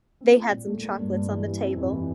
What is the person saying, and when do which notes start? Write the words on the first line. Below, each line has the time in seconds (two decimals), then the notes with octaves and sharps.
They had some chocolates on the table.
0.21 C4
0.35 F4
0.51 A#2
0.67 A3
0.82 A#3
0.98 G2
1.13 G2
1.29 E3
1.45 G3
1.60 C4
1.76 F2
1.92 E3